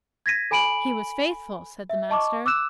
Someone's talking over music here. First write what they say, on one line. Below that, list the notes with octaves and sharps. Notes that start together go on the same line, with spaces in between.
He was faithful, said the Master.
G#6 A#6 B6 D#7
A4 G#5 B5 D7 D#7 F#7
E5
D#5 A5 C#6 D6
D6 E6 F#6 E7